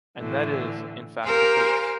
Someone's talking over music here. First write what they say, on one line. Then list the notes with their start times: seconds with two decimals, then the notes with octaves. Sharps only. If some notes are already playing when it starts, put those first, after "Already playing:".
And that is, in fact the case.
0.18 A2 D3 E3
1.23 G4 A#4 C5 F5 G5 G#5